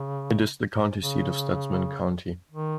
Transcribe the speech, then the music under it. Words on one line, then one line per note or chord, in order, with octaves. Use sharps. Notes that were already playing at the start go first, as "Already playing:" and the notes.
It is the county seat of Stutsman County.
Already playing: C#3
C#3
D#3